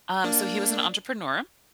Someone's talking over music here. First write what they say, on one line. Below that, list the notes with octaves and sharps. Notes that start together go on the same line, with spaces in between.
Um, so he was an entrepreneur
A#3 D4